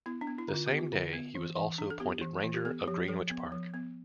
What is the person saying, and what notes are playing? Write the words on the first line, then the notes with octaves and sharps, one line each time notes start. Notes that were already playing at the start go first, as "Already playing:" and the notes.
The same day he was also appointed Ranger of Greenwich Park.
B3 E4
D4
B3
E4
D3
F4
B3 G4
F4
D3
B3
E3
E3
D4
A4
B3 G4
E3
E3
G4
B3 A4
F3 G4
F3 A4
B3
F3
B3